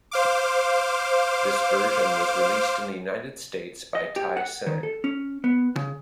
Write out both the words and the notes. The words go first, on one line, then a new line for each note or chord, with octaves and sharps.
This version was released in the United States by Tai Seng.
C5 F5 D6
D#5
G4
F#5
D#3
A4
C#4
B3
C#3